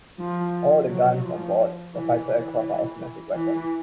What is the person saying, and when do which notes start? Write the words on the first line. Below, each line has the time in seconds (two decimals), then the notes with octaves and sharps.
All the guns on board the fighter aircraft are automatic weapons.
0.19 F3
0.89 F#3
1.24 F3
1.95 E3
2.31 E3
3.36 E3